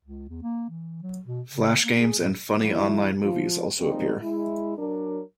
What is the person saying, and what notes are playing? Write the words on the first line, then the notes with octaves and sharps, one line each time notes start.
Flash games and funny online movies also appear.
C#2
E2
A#3
E3
F#3
B2
C#3
A#3
G#4
A2
E3 F#3 E4
F3 F4
F3 G3 G#3 A#3 C4 D#4
G#3 E4
F#3 D4 A#4